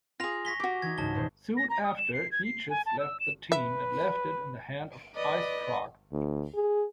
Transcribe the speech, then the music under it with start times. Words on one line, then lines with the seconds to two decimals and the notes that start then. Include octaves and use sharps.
Soon after, Neichus left the team and left it in the hand of IceFrog.
0.20 F4 G#4 A#6 F7
0.45 G#5 C#6 A#6 B6 G7
0.60 F#4 G4 D6
0.82 E3 D#4 G#6
0.98 C#2 G#2 A5 G7
1.15 D#1 B2 C5
1.57 A#6
1.70 A#5
1.84 D#6
1.97 E7
2.13 C7
2.32 G#6
2.45 C7
2.70 G#5
2.86 A5
2.99 E6
3.20 E7
3.52 B4 E5
5.15 B4 D5 D#5
6.12 D2
6.54 G#4